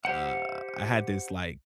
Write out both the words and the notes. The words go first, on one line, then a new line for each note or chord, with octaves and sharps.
uh, I had this like
G4 C5 F#5